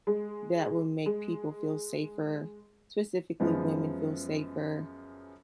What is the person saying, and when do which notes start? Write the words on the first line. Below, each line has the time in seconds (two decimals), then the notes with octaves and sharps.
that will make people feel safer, specifically women feel safer,
0.07 G#3
1.06 G#3
3.40 F#2 F3 G#3 B3